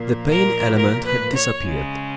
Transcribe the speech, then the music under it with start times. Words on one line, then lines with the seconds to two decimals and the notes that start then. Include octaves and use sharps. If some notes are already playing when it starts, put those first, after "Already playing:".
The pain element had disappeared.
Already playing: A#2 F3 A#3
0.32 A#4
0.77 A#4
1.05 B4
1.36 C#5
1.65 C#3 G#3 C#4